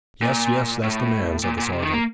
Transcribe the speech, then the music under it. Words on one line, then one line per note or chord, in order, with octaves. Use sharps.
'Yes, yes; that's the man,' said the sergeant.
A#2
A2
A#2
A#2
C3
D#3
A#3